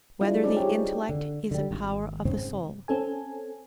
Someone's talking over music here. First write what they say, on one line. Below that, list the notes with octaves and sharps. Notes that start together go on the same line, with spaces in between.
Whether the Intellect Is a Power of the Soul?
G3 G#3 D4 E4 F4
C4 C#4 D#4 F4 D5
G4 G#4 C#5
D3
D3 G3
G#1
G#2 C#3 C4
C4 C#4 A4 G#5